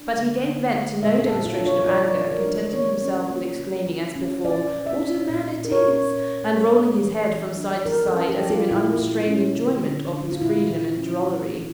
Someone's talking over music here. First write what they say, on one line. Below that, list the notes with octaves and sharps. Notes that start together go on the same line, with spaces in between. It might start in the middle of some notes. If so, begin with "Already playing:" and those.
But he gave vent to no demonstration of anger, contenting himself with exclaiming as before, 'What a man it is!' and rolling his head from side to side, as if in unrestrained enjoyment of his freedom and drollery.
Already playing: D4
D3
D3
A3
A#2 E5
A4
A#2
F4
D4
C#5
C#5
F3 D5
F3
A#4
D4
E3 C#5
C#4
A#3
C#3
C#3
C#4
A#2 D5
A#2
E5
C#4
A#2
A#2
A#4
C#5
C#4
A#2
A#2
D4
E3
E3
D4
F3 A#4
A4
C#4
G4
F3
F4
A#2 E4
A#2
C#4
D3
D3
D4
F4
A#2 E4
A#2
C#4
E3
E3